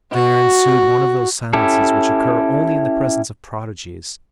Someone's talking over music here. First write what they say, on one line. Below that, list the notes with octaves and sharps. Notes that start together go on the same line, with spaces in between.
There ensued one of those silences which occur only in the presence of prodigies.
F#4
C#4 E4 G4 A4